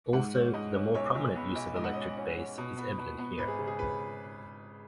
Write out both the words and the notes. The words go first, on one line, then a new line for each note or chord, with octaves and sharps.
Also, the more prominent use of electric bass is evident here.
G#2 F#5
C#4
G#2 D#5
C#4
B1 C#5
B1
B3
B1
G#2 D#5
F#5
C#4 D#5
C#4
C#4
B2
B3
B2
B3
G#1 B4
G#4
C#3
G#4
C#3 B4